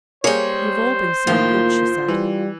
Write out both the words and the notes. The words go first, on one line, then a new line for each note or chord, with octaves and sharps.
"You've all been so good!" she said.
G3 A#3 G#4 C5 C#5
A2 D#3 F3 A#3 F4
E3 G3